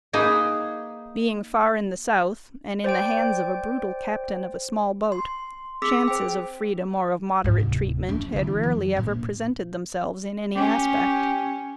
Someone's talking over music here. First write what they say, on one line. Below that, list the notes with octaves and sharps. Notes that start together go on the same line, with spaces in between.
Being far in the South, and in the hands of a brutal "Captain of a small boat," chances of freedom or of moderate treatment, had rarely ever presented themselves in any aspect.
A#3 D#4 G#4 B4
C5 D5 G5 D7
C6
C4 G#4 D6 E6 B6
C5 G5
G#2
D1 C2
F3 D4
D3 E3
F#2
A#1
C#4 G4